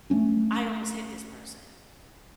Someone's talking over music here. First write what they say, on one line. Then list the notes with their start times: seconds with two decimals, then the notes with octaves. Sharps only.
"I almost hit this person."
0.10 A3 A#3 C#4 D4